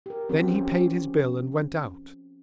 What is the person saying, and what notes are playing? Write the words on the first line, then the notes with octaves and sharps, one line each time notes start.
Then he paid his bill and went out.
G4 A#4
F3 C4 C#4 F#4 G4
C#4 C5